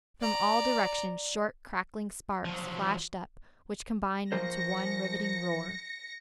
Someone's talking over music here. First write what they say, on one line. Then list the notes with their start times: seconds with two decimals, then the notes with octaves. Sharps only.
From all directions short, crackling sparks flashed up which combined into one riving roar.
0.21 D5 A#5
2.45 F3 F#3
4.32 F3 A#4 C5 A#6 C#7